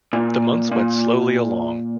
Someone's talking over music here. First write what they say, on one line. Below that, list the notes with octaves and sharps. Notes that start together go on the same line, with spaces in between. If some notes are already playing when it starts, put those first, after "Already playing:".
The months went slowly along.
A#2
A#2